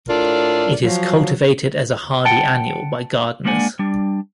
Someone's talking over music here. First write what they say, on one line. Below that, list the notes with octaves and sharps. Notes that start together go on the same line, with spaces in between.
It is cultivated as a hardy annual by gardeners.
A2 D4 F4 A4 A#4 D5
F3 F#3
F#5 G5 A5
G#3 A#3 D4 D5 F#5 G#5
G3 D4